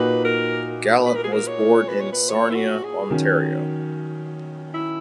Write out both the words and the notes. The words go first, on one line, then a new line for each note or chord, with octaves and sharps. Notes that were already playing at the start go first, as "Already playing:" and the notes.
Gallant was born in Sarnia, Ontario.
Already playing: A#2 A#3 D#4 F#4 B4
A#4
B4
A#4
G#4
A#4
C#5
B4
C#5
B4
C#5
E4
F#4
G#4
D#3 F#3 C#4
E4